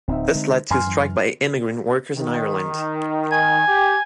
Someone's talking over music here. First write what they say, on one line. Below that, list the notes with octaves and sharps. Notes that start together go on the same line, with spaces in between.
This led to a strike by immigrant workers in Ireland.
D1 C4 D#4 E5
D3 G#3
F#2 E3 G#5 C6 F6
F#2 E3
D#3
G#5
G4